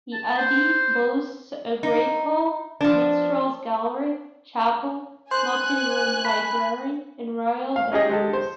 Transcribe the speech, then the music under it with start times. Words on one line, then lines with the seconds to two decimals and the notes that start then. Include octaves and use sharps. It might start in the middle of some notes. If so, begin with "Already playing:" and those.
The abbey boasts a great hall, minstrels' gallery, chapel, multi-room library, and royal bedrooms.
0.13 A5
0.37 C5
1.83 D#4
2.81 F3 D4
5.31 C5 G#5 F#6
6.25 B5
7.76 F5
7.92 C#4 D#4 G4 G#4 D#5
8.10 G#3 G4 A4
8.33 C5